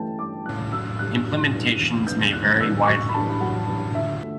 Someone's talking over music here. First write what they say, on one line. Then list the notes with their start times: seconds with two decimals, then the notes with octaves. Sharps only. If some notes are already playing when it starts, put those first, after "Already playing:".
Implementations may vary widely.
Already playing: G2 E3 A3 C#4 G5 A5
0.19 G2 D6
0.45 E3 A3 C#4 F#6
0.72 F#2 E6
0.99 E3 G3 D4 F#6
1.26 F#2
1.53 E3 G3 D4
1.79 E2
2.07 D3 F#3 B3 D4 G6
2.33 E2 F#6
2.54 F#6
2.60 D3 F#3 B3 D4 E6
2.82 D6
2.87 F#2 C#6
3.09 B5
3.14 E3 G3 D4 A5
3.41 F#2 F#5
3.68 E3 G3 D4
3.95 G1 E5
4.22 D3 A3